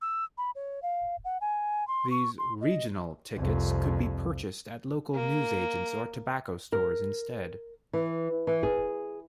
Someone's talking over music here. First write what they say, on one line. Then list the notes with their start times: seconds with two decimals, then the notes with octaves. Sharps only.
These "regional" tickets could be purchased at local newsagents or tobacco stores instead.
0.02 E6
0.38 B5
0.55 C#5
0.82 F5
1.25 F#5
1.41 G#5
1.88 C6
2.11 C#6
2.38 C6
2.61 D#5
3.38 C2 F2
5.14 A#3
6.72 A#4
7.93 E3
8.47 E3
8.63 G#4